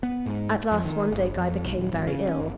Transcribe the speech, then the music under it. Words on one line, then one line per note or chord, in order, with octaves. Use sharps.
At last one day Guy became very ill.
B3
G#2
F2
D#3
G1
F2
B1
D#1
G#1
C#3
C#4
G1